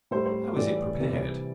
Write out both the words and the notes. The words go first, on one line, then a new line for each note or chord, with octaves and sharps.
How is it prepared?
A2 G3 C5
C5
A2 E3 G3 D5
C3 E3 G3